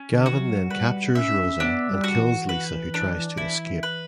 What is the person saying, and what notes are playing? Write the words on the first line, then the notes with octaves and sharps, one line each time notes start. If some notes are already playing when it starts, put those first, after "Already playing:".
Gavin then captures Rosa and kills Lisa who tries to escape.
Already playing: C#4
D3
F#4
E3
F#3
G3 B4
C#4 E5
B3 D4
G3
F#4
E3
B4
D4
E4
B4